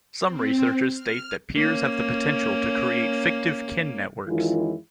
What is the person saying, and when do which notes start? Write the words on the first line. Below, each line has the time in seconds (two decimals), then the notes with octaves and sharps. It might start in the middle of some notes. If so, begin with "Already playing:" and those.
Some researchers state that peers have the potential to create fictive kin networks.
0.23 C4
0.93 F6
1.56 A#3 C#4
4.28 F#2 D#3 E3 G#3 E4 F4